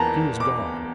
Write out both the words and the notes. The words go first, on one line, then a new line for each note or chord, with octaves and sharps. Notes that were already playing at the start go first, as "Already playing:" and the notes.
He was God.
Already playing: E2 E3 A#3 A5 A#5
D6